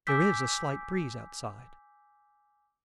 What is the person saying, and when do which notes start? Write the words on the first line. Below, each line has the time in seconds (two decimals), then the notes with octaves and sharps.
There is a slight breeze outside.
0.07 G#5 D6 E6 G6 B6